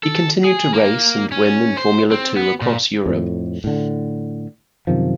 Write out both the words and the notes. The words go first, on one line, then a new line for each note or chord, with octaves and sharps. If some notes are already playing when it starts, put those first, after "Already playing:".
He continued to race and win in Formula Two across Europe.
A4
G#4
A#3
C#4
C5
C4
B3
A#2
F2 A2
A2 D3
F#2 C3 D#3 F3